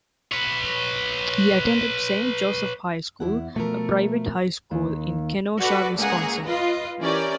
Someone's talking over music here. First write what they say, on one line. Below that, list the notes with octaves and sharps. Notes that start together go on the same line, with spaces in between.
He attended Saint Joseph High School, a private high school in Kenosha, Wisconsin.
B4 C#5
E2 E4 F#5
B2 F3 A3 A#4
D#2
F#4 A4 B4 D5
C#2 A#3 G#4 F#5 A#5
F4 B4 D#5
E3 C#4 G4 A#4 D5